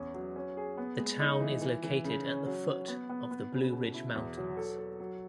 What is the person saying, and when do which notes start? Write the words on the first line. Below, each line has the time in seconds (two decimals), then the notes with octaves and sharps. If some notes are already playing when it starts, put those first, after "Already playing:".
The town is located at the foot of the Blue Ridge Mountains.
Already playing: E2 C#4
0.14 F#3
0.36 C#4
0.57 G#4
0.78 B3
0.99 G#3
1.20 D#4
1.40 E3
1.61 E3
1.83 E3
2.04 C#3
2.25 C#4
2.46 F#3
2.67 F#3
2.88 B3
3.10 B3
3.31 B3
3.52 C#3
3.72 B2
3.94 E4
4.15 E2
4.37 F#3
4.57 A4
4.78 A4
5.00 F#3